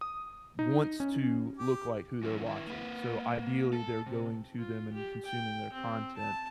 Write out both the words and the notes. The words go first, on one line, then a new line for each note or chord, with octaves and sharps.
wants to look like who they're watching. So, ideally, they're going to them and consuming their content
D#6
D#4
C#4
G4
F#2 E3
D#3 E4
A#3 B4
A4
C3
F4
G4
G5
C4
A5